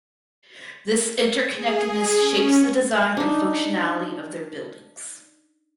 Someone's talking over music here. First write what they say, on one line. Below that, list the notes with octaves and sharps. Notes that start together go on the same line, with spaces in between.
This interconnectedness shapes the design and functionality of their buildings.
G#4
G#4
C#4
D4 D#4